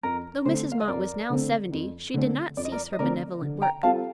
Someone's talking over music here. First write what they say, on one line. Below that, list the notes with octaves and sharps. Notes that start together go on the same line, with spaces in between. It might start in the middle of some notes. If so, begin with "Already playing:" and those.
Though Mrs. Mott was now seventy, she did not cease her benevolent work.
F2 A#4
D3 A3 C4 C5
F5
D#5
F2 A#4 D5
D3 A3 C4
F2
D3 A3 C4
F2 D5
D#5
A#4 D5
D#5
D3 A3 C4 A#4 D5
D3
G5 A#5
G3 C4 F4 A4 F5 A5